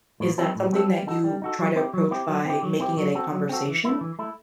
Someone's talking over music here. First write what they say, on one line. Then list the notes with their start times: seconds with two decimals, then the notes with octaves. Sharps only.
is that something that you try to approach by making it a conversation,
0.20 A2
0.38 F#3 C4 E4 A4
0.55 A2
0.72 F#3 C4 E4 A4
0.89 G3
1.07 D#4 F#4 A4
1.24 G3
1.42 D#4 F#4 A4
1.59 F#3
1.76 C4 E4 G4
1.93 F#3
2.11 C4 E4 G4
2.28 F#3
2.45 C4 E4 G4
2.63 F#3
2.80 C4 E4 G4
2.97 F#3
3.15 C4 F#4 A4
3.32 F#3
3.49 C4 F#4 A4
3.67 E3
3.85 A3 E4
4.01 E3
4.19 A3 E4